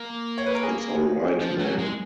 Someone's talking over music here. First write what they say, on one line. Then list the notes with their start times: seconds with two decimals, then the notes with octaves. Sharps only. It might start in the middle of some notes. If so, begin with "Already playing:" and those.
It's all right, men!
Already playing: A#3
0.38 C#5
0.46 B4
0.55 A#4
0.63 G#4
1.40 F3
1.60 F#3
1.79 G#3